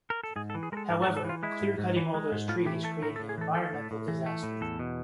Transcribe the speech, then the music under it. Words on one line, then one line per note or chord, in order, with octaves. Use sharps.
However, clear-cutting all those trees created an environmental disaster.
A#4
A4
G#2 G#4
A4
E3
G#4
G#3 A4 A#4
G#2 A#4
A4
G#2
A4
E3 F4
G#3 E4
G#2
G#2
E3
G#3
G#2
A2 F4
E3 G4
A3 A4
A2 A#4
A4
A2
G#4
E3 A4
A3 A4
A2
A2
E3
A3
A2
E2 A4
B2